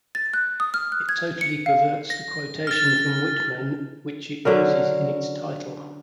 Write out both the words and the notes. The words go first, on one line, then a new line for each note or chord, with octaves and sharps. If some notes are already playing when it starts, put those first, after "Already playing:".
It totally perverts the quotation from Whitman which it uses in its title.
A6
F#6
D#6
F6
F#6
G#6
C#7
F5
A#6
F6 A6
D3 F#3 C#4 A#4